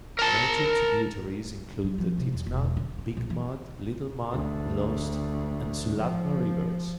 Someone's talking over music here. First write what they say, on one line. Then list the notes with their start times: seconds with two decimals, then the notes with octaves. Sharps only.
Major tributaries include the Titna, Big Mud, Little Mud, Lost, and Sulatna rivers.
0.19 A#4 A5
1.84 G3
1.98 F3
2.18 C3
2.33 E2
2.46 E1
2.77 D3
2.98 D3
3.17 A#1
3.30 E3
4.31 D2
5.98 F3